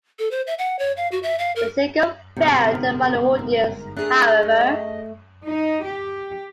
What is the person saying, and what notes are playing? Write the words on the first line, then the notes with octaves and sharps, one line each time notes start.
The single failed to find an audience, however.
A4
C5
E5
F#5
C#5
F5
F#4
E5
F5
A#4
G1 G#2 C3 B3 A#4
A3 D4 G#4 A#5 F#6 C7
A3 D#5
D#4
G4